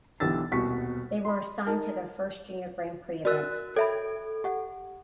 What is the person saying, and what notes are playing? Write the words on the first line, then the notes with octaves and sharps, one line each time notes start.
They were assigned to their first Junior Grand Prix events.
B1 D3 E3 G4 E6 A6
D#1 C2 B2 F#4 C#6 B6
B5 C6
D#4 A#4 A5
F#4 A#4 D5 E6 F#6
A4 C#5 E5 B5
G4 F#5